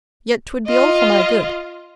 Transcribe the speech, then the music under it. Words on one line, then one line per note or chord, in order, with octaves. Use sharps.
Yet 'twould be all for my good.
F4 D#5